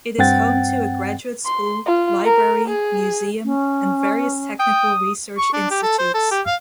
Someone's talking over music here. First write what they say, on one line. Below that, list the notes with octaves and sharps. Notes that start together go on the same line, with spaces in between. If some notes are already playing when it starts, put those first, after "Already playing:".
It is home to a graduate school, library, museum, and various technical research institutes.
G2 C4 F#5 G5 A6
C6
F4
A#4
G#4
C#4
G5 D#6
C#6
D4
G4
A4
C5
A4
G4
F5